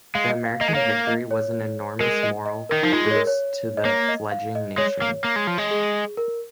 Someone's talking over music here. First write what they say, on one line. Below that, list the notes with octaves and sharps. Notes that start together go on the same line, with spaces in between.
The American victory was an enormous morale boost to the fledgling nation.
G#3 F5
D#5
F5
A#3 D#5
G#3
A#3 C#5
D#5
C#5
G#3 A#4
D#5
D#5
D#3 A#4
F3 D#4
G#3 F4
G#4
C#5
A#4
C#5
D#5
A#3 C#5
D#5
F5
D#5
G#3 C#5
A#3
A#3
G#3
F3
G#3
G#4
A#4